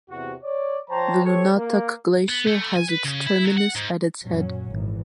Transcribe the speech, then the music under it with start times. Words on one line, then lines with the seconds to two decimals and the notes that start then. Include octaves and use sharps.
The Nunatak Glacier has its terminus at its head.
0.11 E2 C3 F#4
0.43 C#5 D5
0.90 F3 C5 C#5 G5 A5 A#5
1.25 G4 A4 C5 C#5
1.57 A#3
2.29 B3
2.47 A3
2.76 G#5
2.88 B4
3.04 C#3
3.27 E4
3.45 F#3
3.58 F#5
3.76 G#2
4.24 F#2 A#2 F#3 C#4
4.69 G#1 D#3 E3